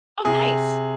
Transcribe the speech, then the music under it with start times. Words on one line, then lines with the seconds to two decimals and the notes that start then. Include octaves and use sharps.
Oh, nice.
0.25 C3 G#4